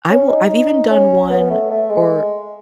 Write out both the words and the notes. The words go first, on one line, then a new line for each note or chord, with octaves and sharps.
I will I've even done one, or
C#4
D#4
D#4
C#4
B3
A3
A3
G#3